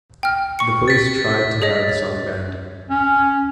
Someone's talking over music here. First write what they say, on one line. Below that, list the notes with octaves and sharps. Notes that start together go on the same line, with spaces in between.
The police tried to have the song banned.
G5 F6
C#6 C#7
A6 B6
G#4 C#5 D#5
C#4